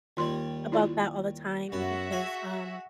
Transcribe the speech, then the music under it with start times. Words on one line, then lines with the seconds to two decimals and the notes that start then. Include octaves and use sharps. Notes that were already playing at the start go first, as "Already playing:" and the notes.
about that all the time because, um,
0.17 D#2 G3 F4 C6
0.72 E4 F4 D5
1.72 F#2 B3 F#4 E5
2.12 G#4